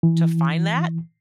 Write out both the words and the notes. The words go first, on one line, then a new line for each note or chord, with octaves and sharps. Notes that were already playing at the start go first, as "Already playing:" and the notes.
to find that.
E3